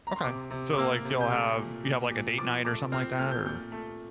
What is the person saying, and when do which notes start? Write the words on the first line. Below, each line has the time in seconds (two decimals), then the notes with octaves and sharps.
Okay, so like you'll have you have like a date night or something like that, or?
0.07 A#5
0.16 C6
0.24 C3 D6
0.51 C3
0.73 D6
0.77 A#3 E6
1.05 C3
1.21 G6
1.31 A3 F6
1.58 A#2
1.84 A#2
2.11 A#2
2.38 F3 D6
2.64 A3 D6
2.92 C4 F6
3.18 A3 F6
3.31 G6
3.45 A#2 G6
3.72 A3